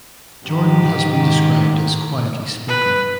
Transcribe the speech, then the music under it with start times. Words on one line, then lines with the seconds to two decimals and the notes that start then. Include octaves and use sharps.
Jordan has been described as "quietly spoken".
0.46 G#2 D#3 G4
2.68 B4